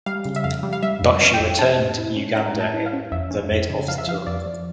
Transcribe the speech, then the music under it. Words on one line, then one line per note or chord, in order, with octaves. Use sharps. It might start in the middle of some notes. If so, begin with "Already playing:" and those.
But she returned Uganda in the mid of the tour.
G3 F5
C#3
E5
F2 F5
G3
F5
G3 E5
F2
E5
C#4 F5
G5
F2
C#4 A5
A2
E4
C#4
C#4 A#5
A2
A5
E4
F5
C#4
F2 E5
C#4
F2
C#3
F3 F5
E5
F3 F5
F2 D5
F3